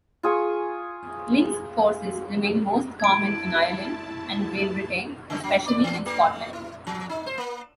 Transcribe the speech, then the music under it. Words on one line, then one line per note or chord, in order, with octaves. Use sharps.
Links courses remain most common in Ireland and Great Britain, especially in Scotland.
F4 G#4 G#5 C#6
E4 A5 G#6 D7
C#3
F#3
D5
E3
A3
E4
F3
D#4
C5
A#3